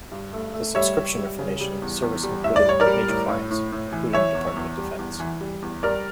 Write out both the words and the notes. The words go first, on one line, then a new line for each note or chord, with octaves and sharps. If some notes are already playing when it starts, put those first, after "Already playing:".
The subscription information service included major clients including the Department of Defense.
G2
A3
A3
G3 C#5 E5
G3
G3
C#3
G3
E2
E2
G3
A2 E5
D5
G3 C#5
A#4 D5
G3
A2
A2
A2
A2
E3
E3 C#5 E5
E2
E2
G3
E2
E3
G3
E2
G3 A#4 D5